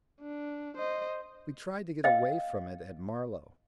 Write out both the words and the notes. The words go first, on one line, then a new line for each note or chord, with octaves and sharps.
We tried to get away from it at Marlow.
D4
C5 D#5
D#5 F5 G5